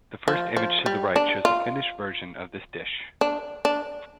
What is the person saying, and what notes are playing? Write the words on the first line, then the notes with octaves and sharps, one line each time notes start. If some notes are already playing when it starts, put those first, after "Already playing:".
The first image to the right shows a Finnish version of this dish.
F3
F3
G3
D4
F4
D4
D4